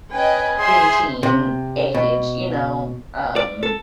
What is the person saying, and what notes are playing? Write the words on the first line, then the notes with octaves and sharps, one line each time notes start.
preteen age, you know, um
C#4 B4 D#5 G5 G#5
G#4 C5 E5 C6
C3
B2
D5
A4